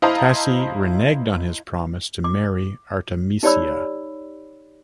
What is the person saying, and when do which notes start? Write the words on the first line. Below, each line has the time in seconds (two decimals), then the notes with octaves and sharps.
Tassi reneged on his promise to marry Artemisia.
0.02 E4 C5 D#5 F5 A5 A#5
2.24 D6
3.43 D#4 G4 C#5 D5 B5 E6